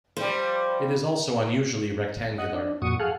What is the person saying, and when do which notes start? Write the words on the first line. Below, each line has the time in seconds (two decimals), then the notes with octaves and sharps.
It is also unusually rectangular.
0.17 F3 G3 C5
2.38 D#5 F#5
2.54 D4
2.82 F2 A#2 F#4 C#6 D#6
3.00 G#4 A4 F5 F#5